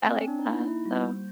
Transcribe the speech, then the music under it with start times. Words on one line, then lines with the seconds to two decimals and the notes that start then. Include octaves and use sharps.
I like that, so
0.05 C4
0.17 C#4
0.28 D4
0.39 D#4
0.50 A#3 E4
0.64 D#4
0.68 E4
0.86 G3 F#4
1.03 C5